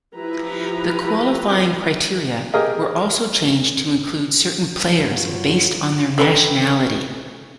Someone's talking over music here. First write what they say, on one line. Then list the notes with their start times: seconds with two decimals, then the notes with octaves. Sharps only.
The qualifying criteria were also changed to include certain players based on their nationality.
0.16 F3 E4 G4 B4 A#5
2.54 G4 G#4 A#4 D#5
5.00 G2 F#3 F4
6.18 D3 G3 A4 B4 A#5